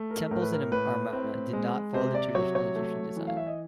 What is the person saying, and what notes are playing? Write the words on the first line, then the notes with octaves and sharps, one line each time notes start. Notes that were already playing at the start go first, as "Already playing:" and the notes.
Temples in Amarna did not follow the traditional Egyptian design.
Already playing: A3
A#4
A2 A#4
B4
A#4
A2 B4
C4
G#3
C3 C5
D5
F#3 C#5
C#5
A3
E3
F5
E5
D#5